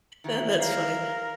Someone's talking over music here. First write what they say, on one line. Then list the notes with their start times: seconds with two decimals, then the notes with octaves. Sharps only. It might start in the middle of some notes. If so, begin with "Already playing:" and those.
Yeah, that's funny.
0.24 D#3 E3 E4
0.60 A#4 F5